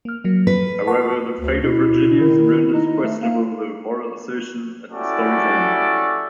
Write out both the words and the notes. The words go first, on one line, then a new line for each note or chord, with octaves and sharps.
However, the fate of Virginius renders questionable the moral assertion at the story's end.
A#3 F6
F#3 A#3
B4
F#5 A5 C#6
D2
B2 E4
D#3
D#4
A3
A#3
C#4 E4 F#4 G4 A4 D5